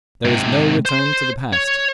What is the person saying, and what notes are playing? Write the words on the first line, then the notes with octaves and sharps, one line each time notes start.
There is no return to the past.
G#2 C3
C5 C6
C#5